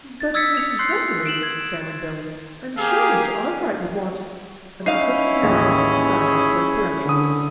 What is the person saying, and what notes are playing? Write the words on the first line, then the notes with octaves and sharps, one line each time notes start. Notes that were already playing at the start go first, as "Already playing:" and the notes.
"But, Mrs. Greggory," stammered Billy, "I'm sure Mr. Arkwright would want--" An up-lifted hand silenced her peremptorily.
A6
D#6 E6 G#6 A6 B6 C#7
C#7 F7
C6 F#6 G6 C7
D7 E7 F#7
G#6
A#3 G4 G#4 F5
C#4 D#4 E4 F5 C7
A1 D#2 G#4
D3 D#6